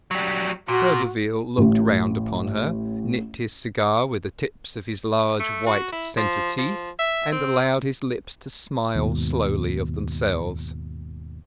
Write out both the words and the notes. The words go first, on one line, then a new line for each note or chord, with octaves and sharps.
D'Urberville looked round upon her, nipped his cigar with the tips of his large white centre-teeth, and allowed his lips to smile slowly of themselves.
F#3 G3
A#2 F#4
A1 A2
A3
F#4
E4
F3
F3
E5
C4
D#2 G#2 B2